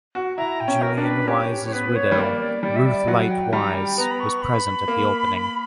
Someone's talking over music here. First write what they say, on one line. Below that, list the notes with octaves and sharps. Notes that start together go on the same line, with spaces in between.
Julian Wise's widow, Ruth Light Wise, was present at the opening.
F#4
E4 A#5
G5
C#4
A#4
D4 A#4
B4
C#4 G4
G4
C#5
B3 B4
C#5
G3
A#3 D5
D5
G3 D5
E5
D5
F#3 F#5
G5
G3 A#5
G5
B3 A#5
B5
C#6
B5
B5
A#3